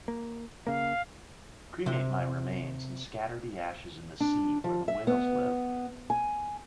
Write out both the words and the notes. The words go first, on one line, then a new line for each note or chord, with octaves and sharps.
Cremate my remains and scatter the ashes in the sea where the whales live.
A#3
C#3 A#3 F5
C3 C5
D4
F3
E5
B3
G#5